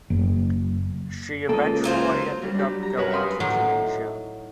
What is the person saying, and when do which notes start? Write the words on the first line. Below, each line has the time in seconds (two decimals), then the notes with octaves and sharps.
She eventually ended up going to Tunisia.
0.10 F#1
1.49 C#2 A#3 A4 D#5
1.84 F#3 F4 C5
2.42 F#3 G3
2.55 D4 G4
2.83 A#5
2.97 F#2 A#4 B4 C#5 F#5 F#6
3.11 E5 F5 G5 B5 C6 D#6
3.40 A2 F#3 D#4